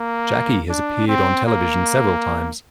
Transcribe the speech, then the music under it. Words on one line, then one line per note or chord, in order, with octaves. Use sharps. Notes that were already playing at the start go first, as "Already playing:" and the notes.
Jakki has appeared on television several times.
Already playing: A#3
D4
C4
A#3